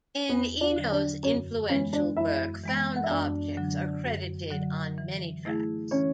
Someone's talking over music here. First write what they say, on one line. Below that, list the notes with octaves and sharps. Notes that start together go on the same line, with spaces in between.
In Eno's influential work, found objects are credited on many tracks.
E2 B3 B4
D4 D5
D3 F#3
D4 D5
F#2 C#4 C#5
E3 G#3 B3 C#4 C#5
D4 D5
F#2 E4 E5
E3 G#3 B3
F#5
E5
F#2 D4 D5
D3 F#3
F#2
D3 F#3
E3
A3 E4 G#4
E3 C#4 C#5